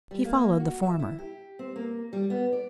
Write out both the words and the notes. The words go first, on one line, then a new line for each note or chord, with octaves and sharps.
He followed the former.
G3
A#3
F#4
E5
E4
G4
C4
A#3
G3
B3
D5